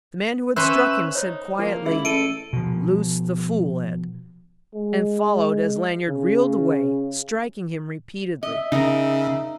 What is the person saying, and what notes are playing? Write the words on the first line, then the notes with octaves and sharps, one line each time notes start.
The man who had struck him said quietly, "Loose the fool, Ed," and followed as Lanyard reeled away, striking him repeatedly.
C#4 B4 C5 E5 E6 F#6
D#4 C5 C#5
F3 A#3
C#2 E4 G#4 E5
A1 A4 D7 D#7
B2 F3
G#3
C#3
D#5 E5
C#3 D#4 A#4